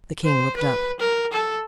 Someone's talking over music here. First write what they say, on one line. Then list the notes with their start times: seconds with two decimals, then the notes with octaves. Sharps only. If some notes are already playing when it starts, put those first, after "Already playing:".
The king looked up.
0.24 C5
0.56 B4
1.00 A#4
1.32 A4